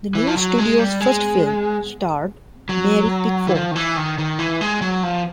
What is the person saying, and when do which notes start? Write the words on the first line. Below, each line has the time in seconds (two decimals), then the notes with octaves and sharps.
The new studio's first film starred Mary Pickford.
0.15 E3
0.27 F3
0.37 F#3
0.58 G#3
0.79 G3
1.01 G#3
2.69 F#3
3.47 E3
3.55 F3
3.71 D#3
3.76 E3
3.97 D#3
4.18 D#3
4.39 E3
4.61 G#3
4.82 F#3
5.03 F3